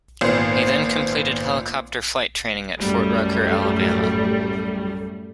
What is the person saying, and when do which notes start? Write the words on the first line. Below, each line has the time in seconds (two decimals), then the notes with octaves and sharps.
He then completed helicopter flight training at Fort Rucker, Alabama.
0.21 G#1 A#2 B3 C5
2.79 F#2 A2 G3 A3